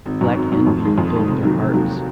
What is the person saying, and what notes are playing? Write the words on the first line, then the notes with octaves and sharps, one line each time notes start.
Black envy filled their hearts.
G#1
F#2 D#3
G#1
F#2 D#3
F2
D#3 G#3
F2
D#3 G#3
F1
D#2 D#3 F#3
F1
D#2 D#3 F#3